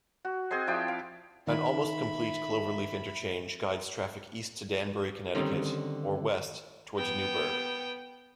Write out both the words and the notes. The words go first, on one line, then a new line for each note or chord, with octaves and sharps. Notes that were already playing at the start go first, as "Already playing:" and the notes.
An almost-complete cloverleaf interchange guides traffic east to Danbury, Connecticut or west towards Newburgh.
F#4
C4 G#4 D#5 C6
F3 E4 D5 G5
F5
D#3 E5 B5
D3 D#3 G3 C4 C#4 D#4
B3 G5